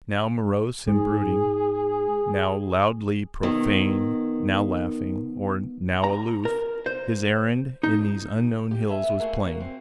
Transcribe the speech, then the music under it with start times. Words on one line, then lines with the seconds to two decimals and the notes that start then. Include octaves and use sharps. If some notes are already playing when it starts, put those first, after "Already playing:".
Now morose and brooding, now loudly profane, now laughing or now aloof, his errand in these unknown hills was plain.
0.88 G#2 G#4
3.43 D#3 B3
6.04 A#5
6.45 A#4
6.86 C5
7.83 D#4
8.71 G4
8.87 G#4 E5
9.03 B3
9.20 A3 A#3 F4 F#4 G#4
9.44 A#3 F#4
9.60 C4